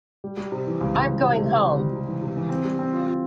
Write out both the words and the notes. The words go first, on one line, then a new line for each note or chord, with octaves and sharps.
I'm going home!
G3
G3
C3
E3
C#2
C#2
G3
C3
C3
C3
C3
G3
C3
E3
C3
E3
C4
G3
C4
F4
F4